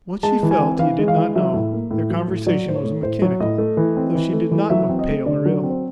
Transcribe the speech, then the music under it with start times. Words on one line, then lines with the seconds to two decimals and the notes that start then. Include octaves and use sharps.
What she felt he did not know; their conversation was mechanical, though she did not look pale or ill.
0.23 G#3 A5
0.43 E3
0.51 G#5
0.60 C4
0.79 E3 F5
0.99 G#3
1.08 F5
1.16 E3
1.35 F#3 E5
1.54 A2
1.73 A#3
1.91 A2
2.10 F#3
2.28 A2
2.46 F#3 D5
2.66 A2 C5
2.76 C#5
2.84 A3
3.02 A2 C5
3.22 F#3 C#5
3.40 A2 D#5
3.58 A3
3.77 E3
3.97 C4
4.15 E3
4.33 A3
4.52 E3
4.70 F#3 E5
4.90 C4
4.99 D#5
5.08 A3
5.26 D3 D5
5.46 F#3
5.63 C4
5.70 C5